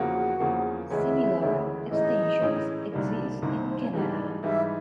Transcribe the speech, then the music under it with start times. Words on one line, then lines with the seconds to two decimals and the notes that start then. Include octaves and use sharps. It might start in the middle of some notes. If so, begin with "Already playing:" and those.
Similar extensions exist in Canada.
Already playing: E2 C#3 F3 A#3 F#4 F#5
0.40 E2 C#3 F3 A#3
0.90 D2 C#3 E3 G#3 C#4 E4 E5
1.41 D2 C#3 E3 G#3 C#4
1.91 A2 E3 G#3 C#4 D#4 E4 D#5
2.41 A2 E3 G#3 C#4 E4
2.92 C2 C3 D#3 G3 A#3 D4 D5
3.42 C2 C3 D#3 G3 A#3 C#4 C#5
3.55 C5
3.68 C5
3.81 C#4 C#5
3.92 G#2 E3 G3 D4 D5
4.43 G#2 E3 G3 E4 E5